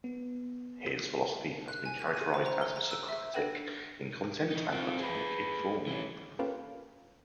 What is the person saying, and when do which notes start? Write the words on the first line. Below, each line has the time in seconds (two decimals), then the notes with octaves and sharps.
His philosophy has been characterized as Socratic in content and Platonic in form.
0.04 B3
1.68 F#6
1.86 G#5
1.99 F#6
2.15 D#7
2.34 C5
2.46 A#5
2.61 G7
2.76 A#5
2.91 E6
3.09 E5
3.34 D4 A4 B4 F#5 G5
4.50 E3 D#4
4.72 C4 F4
5.00 G#4 B4
5.87 E3 C#4
6.39 A#3 C#4 F4 G4 A4 B4